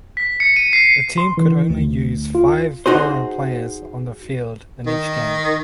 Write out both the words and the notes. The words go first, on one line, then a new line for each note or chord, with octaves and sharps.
A team could use only five foreign players on the field in each game.
B6
C#7
D#7
C7
C6
E3
D2
F4
D#4 F#4 G#4 C5
D#3